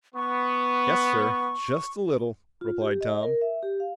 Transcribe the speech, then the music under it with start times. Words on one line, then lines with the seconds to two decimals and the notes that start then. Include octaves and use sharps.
"Yes, sir--just a little," replied Tom.
0.15 B3 C#6
2.61 F4
2.82 G4
3.01 D#5
3.23 A#4
3.41 E5
3.63 G4
3.80 F5